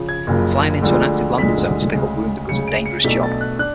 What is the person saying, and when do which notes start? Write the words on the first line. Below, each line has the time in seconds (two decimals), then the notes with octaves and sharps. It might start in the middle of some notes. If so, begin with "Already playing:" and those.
Flying into an active landing zone to pick up wounded was a dangerous job.
Already playing: C#3 F3
0.09 G#6
0.27 F#1 F#2 C#3 F3
0.82 D2 D3 F3 G#3
1.38 D2 D3 F3 G#3 B6
1.93 D2 C#3 G#3
2.49 D2 C#3 G#3 C#7
2.68 D7
2.86 C#7
3.04 B1 B2 A3 D4 B6
3.23 A6
3.41 F#6
3.59 D4 F#6